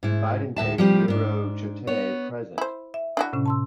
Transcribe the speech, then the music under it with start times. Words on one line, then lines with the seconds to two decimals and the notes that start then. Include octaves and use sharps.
Bidentate neurochaetae present.
0.03 G#2 E4
0.56 D2 A2 E5 A5
0.78 F3 G3 C4 G4
1.08 G#2 D4
1.87 B3 C#5
2.58 E4 C5
2.94 E5
3.17 D4 E4 F#4
3.33 A2 C3 C#4
3.46 A5 C6 E6